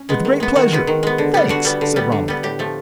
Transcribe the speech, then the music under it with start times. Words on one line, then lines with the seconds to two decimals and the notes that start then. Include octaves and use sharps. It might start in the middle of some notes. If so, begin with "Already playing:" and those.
"With great pleasure--thanks," said Ronald.
Already playing: C#4
0.09 G#3 B3
0.25 D#3
0.40 G#3 B3
0.56 D#3 F#4
0.72 G#3 B3
0.87 D#3
1.03 G#3 B3
1.18 D3
1.34 G3 B3
1.49 D3 F#4
1.65 G3 B3
1.81 D3
1.96 G3 B3
2.12 D3
2.28 G3 B3
2.43 A2 G4
2.59 F3 A3